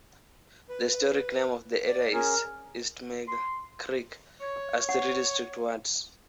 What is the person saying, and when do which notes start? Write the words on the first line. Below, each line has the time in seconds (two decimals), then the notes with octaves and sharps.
The historic name of the area is "East Mill Creek", as three distinct words.
0.69 B4
1.86 D5
2.13 C#4 G#4 A#4
3.28 C6
4.41 C#5
4.89 F#5